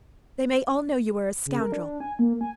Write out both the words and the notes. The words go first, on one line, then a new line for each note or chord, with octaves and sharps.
They may all know you are a scoundrel!
C#3
A#4
D4
G#5
A#3
G#5